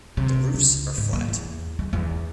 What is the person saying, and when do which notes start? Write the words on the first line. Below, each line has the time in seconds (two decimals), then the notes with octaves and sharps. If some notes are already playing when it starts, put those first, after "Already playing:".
The roofs are flat.
0.17 C3
0.54 C#2
0.98 G#2
1.13 A#3
1.28 E2
1.79 G#3
1.93 E2